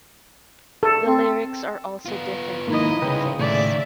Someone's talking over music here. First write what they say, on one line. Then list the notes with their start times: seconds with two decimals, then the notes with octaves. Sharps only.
The lyrics are also different in one place.
0.83 A4
1.06 C4
2.05 B3 F4
2.68 D#2 G#2 A#3 D#4 E4 D#5
3.02 C2 C#3 B4 G5 A#5
3.39 A2 D#3 G#3 D5 E5